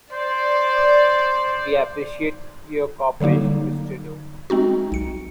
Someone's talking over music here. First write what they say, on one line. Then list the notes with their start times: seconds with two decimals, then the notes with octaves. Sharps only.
We appreciate your cooperation Mr Doe.
0.13 C5 D5
3.20 D3 F#3 G3 A#3 D#4
4.50 G#3 C4 D#4 F#4
4.92 B1 C#7